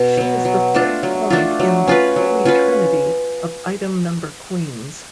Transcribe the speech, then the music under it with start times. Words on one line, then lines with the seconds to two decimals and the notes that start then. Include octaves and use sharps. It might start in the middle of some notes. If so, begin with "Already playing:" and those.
She is the third point in the 'holy trinity' of item number queens.
Already playing: B2
0.17 F#3 B3
0.45 F#3
0.75 A3 D4 F4
1.03 F#3
1.30 A3 D4 F4
1.60 F#3
1.87 C#4 F4 B4
2.16 F#3
2.45 C#4 F4 B4